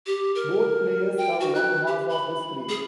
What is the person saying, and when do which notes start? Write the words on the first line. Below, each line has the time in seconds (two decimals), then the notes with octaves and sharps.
Both players have one half of the screen.
0.07 G4
0.35 A#4
1.17 G5
1.40 F#4
1.55 F#6
1.87 G4
2.09 B5
2.69 G#4